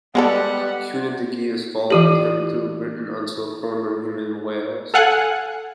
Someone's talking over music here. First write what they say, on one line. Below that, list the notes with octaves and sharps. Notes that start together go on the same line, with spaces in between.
Cunedagius followed him throughout Britain until cornering him in Wales.
G3 G#3 B3 G#4 A4 B4 F#5
E3 F4 G4
A4 F5 F#5 G#5